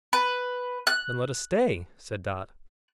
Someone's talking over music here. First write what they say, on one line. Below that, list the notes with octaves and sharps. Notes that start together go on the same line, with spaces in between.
"Then let us stay," said Dot.
B4
F#6